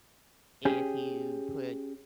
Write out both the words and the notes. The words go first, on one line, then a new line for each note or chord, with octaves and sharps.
if you put
C#4 G4 G#4